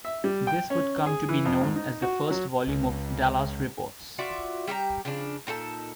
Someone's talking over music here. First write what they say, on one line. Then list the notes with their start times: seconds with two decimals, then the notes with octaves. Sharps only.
This would come to be known as the first volume of "Dallas Reports".
0.05 E5
0.24 G3
0.47 G5
0.70 C#4
1.06 G#4
1.29 E3
1.45 F2
1.61 G#2
1.76 D#4
2.02 F#4
2.31 F#3
2.68 C#2
4.18 F4 F#4 D5 E5
4.67 G3 G4 E5 A#5
5.05 C#3 F3 D4
5.47 A#2 D#4 A4 A5